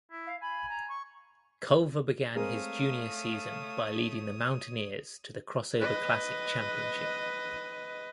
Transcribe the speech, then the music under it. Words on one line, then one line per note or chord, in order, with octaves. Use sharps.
Culver began his junior season by leading the Mountaineers to the Crossover Classic Championship.
E4
F5
G#5 B5
A#5
C#6
G#3 A3 C4 A#4 C#5 F5 D#6
B4 D#5